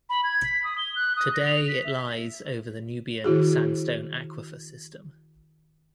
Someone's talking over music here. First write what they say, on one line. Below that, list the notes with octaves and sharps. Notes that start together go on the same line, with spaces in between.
Today it lies over the Nubian Sandstone Aquifer System.
B5
G#6
B6
D#6
G7
F#6
D#6
A#6
F7
B6
E5
D#3 E4 F#4 G#4